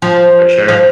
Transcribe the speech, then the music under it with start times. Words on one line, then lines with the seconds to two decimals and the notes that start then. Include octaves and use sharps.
For sure.
0.02 F3
0.68 F3